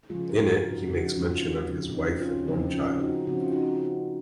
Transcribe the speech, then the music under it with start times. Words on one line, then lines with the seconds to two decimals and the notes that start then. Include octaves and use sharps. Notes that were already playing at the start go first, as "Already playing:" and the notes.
In it he makes mention of his wife and one child.
0.10 C#3 F3 G#3 F4 G#4
0.29 F#4 A#4
0.49 F4 G#4
0.69 D#4 F#4
0.89 C#3 F3 G#3 D#4 F#4
1.15 C#4 F4
1.32 F4
1.42 C4 D#4
1.69 C#3 F3 G#3
1.95 C4 D#4
2.21 C#4 F4
2.48 C#3 F3 C4 D#4
2.74 C#4 F4
3.00 D#4 F#4
3.27 C#3 F3 C4 F#4
3.40 F4
3.52 D#4 F#4